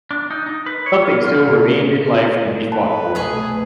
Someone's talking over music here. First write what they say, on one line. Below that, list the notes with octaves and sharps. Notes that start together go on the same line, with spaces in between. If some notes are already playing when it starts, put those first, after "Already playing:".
Something still remained in life to be fought for.
D4
D#4
D#4
B4
C#5
F4
F4
B2
B4 A5
C2 B2 A3 B3 G#4 B4 G#5